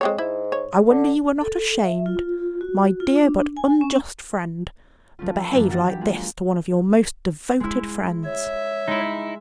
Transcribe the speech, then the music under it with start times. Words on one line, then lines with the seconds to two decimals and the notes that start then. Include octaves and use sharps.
I wonder you were not ashamed, my dear but unjust friend, to behave like this to one of your most devoted friends.
0.01 F2 G#3 C4 C#5
0.18 G#2 E4
0.52 C#5
0.90 D3
1.41 A4
1.79 E5
2.06 F4
2.61 F#4
3.00 F4
3.16 D4
3.57 G#5
3.81 C#4
5.19 F3 A3 C#4 F4
5.35 B4 E5
5.51 F#2 E3 F3 A#3 D4 E4
5.69 E3 F#4 A6 A#6
5.89 G4
6.01 G#3 A#3 F4 G#4
7.60 G#3 E4
8.25 C#5 E5
8.88 G#3 D#4 E4